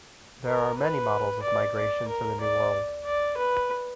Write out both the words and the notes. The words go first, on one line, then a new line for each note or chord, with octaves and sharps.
There are many models of migration to the New World.
A#4
B4
D5
D5
A#4
D5
D5
B4